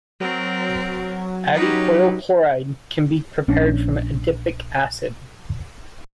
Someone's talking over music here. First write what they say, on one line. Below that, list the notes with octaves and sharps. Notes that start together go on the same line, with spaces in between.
Adipoyl chloride can be prepared from adipic acid.
F#3 C4 A#4
C#4 D#4 G4 B4
A#1 C#4 D4